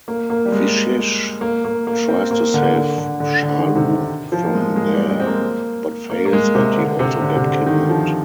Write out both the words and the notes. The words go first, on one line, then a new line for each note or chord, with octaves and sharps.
Vishesh tries to save Shalu from there but fails and he also get kidnapped.
A#3
A#3
G3
G#3
A#3
A#3
A#3
C4
A#3
D3
D3
D3
D3
D3
D#3
C3
F3
A#3
G#3
G#3
G3
G#3
C4
A#3
A#3
A#3
G#3
C3
D3
C3
D3
C3
D3
D#3
F3